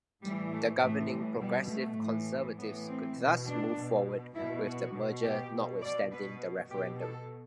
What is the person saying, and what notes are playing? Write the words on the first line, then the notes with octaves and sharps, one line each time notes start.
The governing Progressive Conservatives could thus move forward with the merger notwithstanding the referendum.
A2 E3 G3
A3
A2 E3 A3
G3
B2 G3
A3
A2 E3
A2 E3 B3
C4
B2
D4
B2
B2 E4
F#4
B2
G4
B2
D5
B2 B4
B2 G4
A4